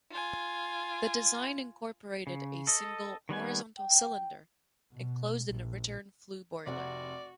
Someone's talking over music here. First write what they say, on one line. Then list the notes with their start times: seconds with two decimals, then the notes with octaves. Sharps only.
The design incorporated a single horizontal cylinder enclosed in a return-flue boiler.
0.12 F4 G#5
2.27 C#3
2.67 A4 D#5
3.29 D#3 G3 B3 G#5
3.78 G5
4.93 B2
5.51 A#1
6.66 F1 C3 F#4 D5 F#5